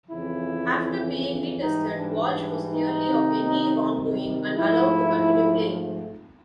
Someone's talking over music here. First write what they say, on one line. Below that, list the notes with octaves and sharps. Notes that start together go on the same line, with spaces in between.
After being retested, Walsh was cleared of any wrongdoing and allowed to continue playing.
F2 C#3 E3 E4
G#2 E3 G3 D#4
D4
D4
D#4
C3 D#3 G3
G#2 F3 A3 E4